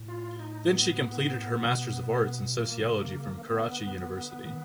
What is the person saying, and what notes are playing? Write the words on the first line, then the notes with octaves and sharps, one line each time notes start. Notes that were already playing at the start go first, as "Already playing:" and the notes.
Then she completed her Masters of Arts in Sociology from Karachi University.
Already playing: A2
F4
D#4
B3
B2
A#2 A#3
C3
C#3
D3
B3
D#3